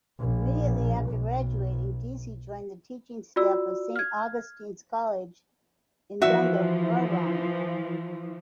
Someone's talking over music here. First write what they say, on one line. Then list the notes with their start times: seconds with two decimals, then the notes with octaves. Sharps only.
Immediately after graduating, Deasy joined the teaching staff of Saint Augustine's College in Dungarvan.
0.19 A#1
1.10 B1
3.36 F4 F#4 D5 E6
3.96 F6 G#6
6.22 E3 F3 F#4 E5